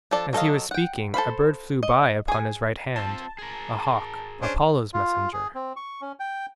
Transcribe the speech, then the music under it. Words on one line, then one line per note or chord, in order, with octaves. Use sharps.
As he was speaking a bird flew by upon his right hand--a hawk, Apollo's messenger.
F3 D4 A4 D5
F#3 A4 D#5 F5
F#5 G5
A4 C5 F5 B5
D#5
G#4 G#5
C4 F4 A5
G#4 A#4
C#4 D4 C5
F4
G#4
C4
C#6
C#4
G5